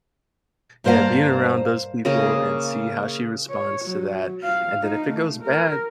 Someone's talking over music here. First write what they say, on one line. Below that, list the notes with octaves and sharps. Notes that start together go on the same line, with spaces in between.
yeah, being around those people and see how she responds to that, and then if it goes bad
G2 A#3 C5 D5 F5 A#5
C#3 A#3 G#4
C#5
F#3
F5
D#4
A3
A#4